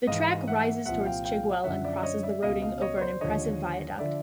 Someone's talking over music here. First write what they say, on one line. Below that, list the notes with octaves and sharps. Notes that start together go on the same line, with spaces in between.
The track rises towards Chigwell and crosses the Roding over an impressive viaduct.
G#2 E3 D#5 F5
E5 F#5
C2 A#2 F3 E5 F#5
F5 G5
F5 G5
F#2 D3 F3 E5 F#5
D5 E5
C#5 D#5
D5 E5
C#2 B2 D#5 F5
D#5 F5
C#5 D#5
C#5
C5 D5
D#2 D3 F3 C#5 D#5
D3 F3 D5 E5